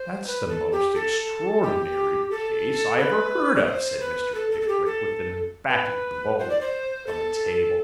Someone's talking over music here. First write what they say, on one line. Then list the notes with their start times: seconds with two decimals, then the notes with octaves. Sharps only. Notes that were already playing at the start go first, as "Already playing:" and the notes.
'That's the most extraordinary case I ever heard of,' said Mr. Pickwick, with an emphatic blow on the table.
Already playing: C5
0.27 B4
0.49 A4
0.72 G4
0.95 A4
1.62 G4
2.31 A4
2.99 B4
3.55 D5
3.67 C5
4.00 B4
4.35 A4
4.51 A4
4.62 A4
4.68 G4
4.85 A4
5.70 B4
6.39 C5
6.50 D5
6.61 C5
7.07 A4